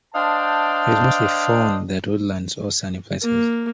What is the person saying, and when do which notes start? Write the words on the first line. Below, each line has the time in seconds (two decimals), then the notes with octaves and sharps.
It is mostly found at woodlands or sunny places.
0.14 D4 C5 D#5 F5 G5 A5
3.22 A#3